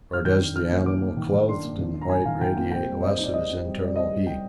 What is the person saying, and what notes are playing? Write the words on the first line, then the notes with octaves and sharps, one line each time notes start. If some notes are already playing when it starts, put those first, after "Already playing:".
Or does the animal clothed in white radiate less of his internal heat?
F6
D#3 G6
D4
D4 F6
A#3
D#3 D6
A#3
D#3
D#3
D4 C6
A#3
D#3
D4
A#5
D4 G#5
D#3 F5
D#3 G5
A#3 G5
C4 G5
G3
C4 D#5
D#4
D5
D#4 D#5
C4
G3
G3 D5
C4 D#5
G3
G3 G5